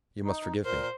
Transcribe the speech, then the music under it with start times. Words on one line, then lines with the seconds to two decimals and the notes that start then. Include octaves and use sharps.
You must forgive me.
0.24 D#4
0.65 A#2 A#4 C5